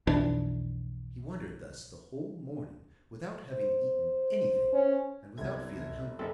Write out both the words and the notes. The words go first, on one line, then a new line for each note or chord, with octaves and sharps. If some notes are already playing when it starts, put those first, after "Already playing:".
He wandered thus the whole morning, without having eaten anything and without feeling hungry.
B1 F2 E3 D4
C5
C#4
G1 C2 C3 G#6
F#1 A4 E5